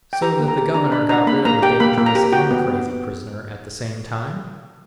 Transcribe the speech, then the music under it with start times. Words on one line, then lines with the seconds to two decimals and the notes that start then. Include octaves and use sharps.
"So that the governor got rid of the dangerous and the crazy prisoner at the same time?"
0.13 G5
0.22 G4 A#5
0.40 A#3
0.48 A#5
0.57 G4
0.74 D4 A#5
0.92 D4 B5
1.09 D4 A#5
1.27 A#3 B5
1.45 A#3 A#5
1.62 G4 G5
1.80 A#3 B5
1.98 A#3
2.06 A#5
2.15 G4
2.32 F#4 G5
2.51 B3
2.68 B3